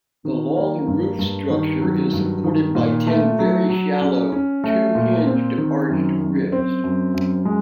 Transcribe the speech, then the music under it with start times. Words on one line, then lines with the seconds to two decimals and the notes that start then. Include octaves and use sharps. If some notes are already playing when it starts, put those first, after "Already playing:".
The long roof structure is supported by ten very shallow "two-hinged" arched ribs.
0.25 D#3
0.56 A#3
0.87 G2
1.19 G2
1.50 D#3
1.81 F#3
2.13 G2
2.44 D#3
2.75 A#2
3.07 A3
3.39 F#3
3.69 F#3
4.01 C#4
4.32 C#4
4.64 A3
4.95 A#2
5.27 C4
5.58 D#3
5.89 F#2
6.20 F#2
6.52 C4
6.84 F#2
7.14 F#2
7.45 G#3